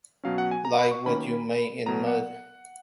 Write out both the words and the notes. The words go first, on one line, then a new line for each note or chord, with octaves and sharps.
Like what you make in mud.
B2 F#3 C#4 F5
F#5
G#5
A#5
B5
C#6
D#3 A#3 C#4 B5
B2 F#3 B3 A#5
F#5